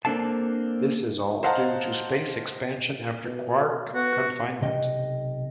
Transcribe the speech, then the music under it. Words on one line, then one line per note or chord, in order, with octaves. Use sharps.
This is all due to space expansion after quark confinement.
A#3 C4 D4 A4 F5 A5
C5 D#5 F5 F#5 A5 A#5
B2
B3 F#4
B1 C3 D#5 G5